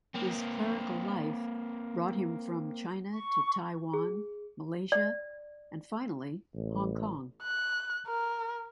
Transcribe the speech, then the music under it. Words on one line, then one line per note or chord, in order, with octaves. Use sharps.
His clerical life brought him from China to Taiwan, Malaysia and, finally, Hong Kong.
A#3 C4
C#6
G#4
D5
A1
F#6
A#4